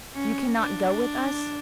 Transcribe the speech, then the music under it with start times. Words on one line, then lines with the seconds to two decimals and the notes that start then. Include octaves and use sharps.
"You cannot go with us!"
0.14 C#4
0.59 D4